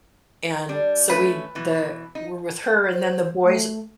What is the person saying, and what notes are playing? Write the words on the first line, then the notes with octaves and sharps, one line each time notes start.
And so we the were with her and then the boys
G3 D4
A3 C#4 B4
B2 E3
D#4
C5
A3